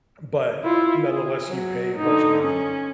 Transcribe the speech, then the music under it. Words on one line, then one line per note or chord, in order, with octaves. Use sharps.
But nonetheless, you pay a bunch of money
E4 F4
G#4
F#3
D3 D#4
C#4